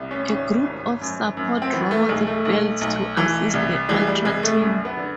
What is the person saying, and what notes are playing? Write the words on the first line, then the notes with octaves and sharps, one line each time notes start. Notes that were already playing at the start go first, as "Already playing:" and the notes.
A group of support robots built to assist the Ultra Team.
Already playing: C2
C#4
G#1 C#4
G#1
F#2
F#2
C4
E3 B3
A3
B1 G#3
A3
B1
B1
E3
C2
E3 G#3
G3
C2 G#3
A3
F#2
B3
D3